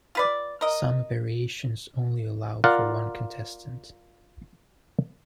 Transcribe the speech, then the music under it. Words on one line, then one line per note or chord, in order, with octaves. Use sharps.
Some variations only allow for one contestant.
F4 B4 D5
A#4 D#5
F4 A#4 D5 F5 F#5